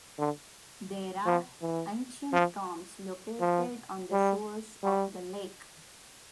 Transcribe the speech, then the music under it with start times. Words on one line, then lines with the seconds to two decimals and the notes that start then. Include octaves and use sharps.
There are ancient tombs located on the shores of the lake.
0.18 D3
1.26 F3
1.61 E3
2.33 F3
3.40 F3
4.12 G3
4.83 G3